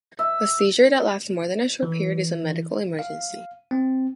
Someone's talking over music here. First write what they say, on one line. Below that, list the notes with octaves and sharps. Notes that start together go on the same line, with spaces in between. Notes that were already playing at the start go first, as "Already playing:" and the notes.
A seizure that lasts more than a short period is a medical emergency.
E5
E3
F5
C4